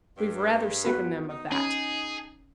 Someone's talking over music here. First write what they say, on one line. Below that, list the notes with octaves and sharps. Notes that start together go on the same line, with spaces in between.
We've rather sickened them of that.
G2
B3 F#4 B4
D#4
C#4 G#4